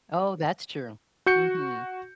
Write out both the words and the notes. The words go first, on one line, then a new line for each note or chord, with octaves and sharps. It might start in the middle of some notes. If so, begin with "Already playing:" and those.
Oh, that's true. Mhm.
F#4 G6 C#7